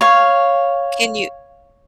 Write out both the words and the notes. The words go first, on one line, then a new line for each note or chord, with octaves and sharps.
Can you
C#5 F5